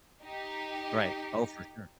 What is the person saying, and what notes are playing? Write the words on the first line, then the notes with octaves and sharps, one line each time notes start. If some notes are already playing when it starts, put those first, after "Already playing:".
Right. Oh, for sure.
D#4 G4